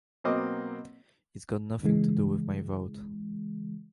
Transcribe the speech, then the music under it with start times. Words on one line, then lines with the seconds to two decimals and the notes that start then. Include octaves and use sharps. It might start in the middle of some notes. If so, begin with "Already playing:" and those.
It's got nothing to do with my vote.
0.24 B2 F#3 A#3 C4 D#5 D6
1.83 C#3 E3 G#3